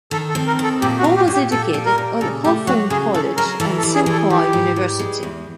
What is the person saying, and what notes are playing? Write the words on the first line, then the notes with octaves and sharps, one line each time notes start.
Ho was educated at Ho Fung College and Tsinghua University.
D#3 A4
A4
C4
A#4
D#3 A4
A#2 G4
F#4
F4
G4
A#2
G4
A#2 A4
G3
A#4
A#2
C#3 A4
A3 G4
F#3 F#4
C#3 G#4
C#3 A4
F#3 A#4
E3 A4
A4
G3
G#4
E3
A4
E3 G4
G#2
G3
G#3
E2